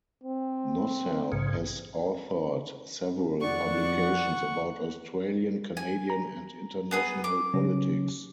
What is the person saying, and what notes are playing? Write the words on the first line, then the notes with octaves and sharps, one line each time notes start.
Nossal has authored several publications about Australian, Canadian and international politics.
C4
A#1 G#2 C#3
F2 D5 F#5 C#6
G#5
A#5
B3 G#4 D#6
D6
C#3 F#3 C#4